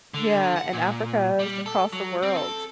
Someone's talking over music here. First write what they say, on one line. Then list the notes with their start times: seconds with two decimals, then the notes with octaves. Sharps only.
Yeah, and Africa is across the world.
0.14 D3
0.56 F#5
0.73 A#2
1.39 G3
1.66 A4
1.93 F#3
2.23 C4
2.36 A4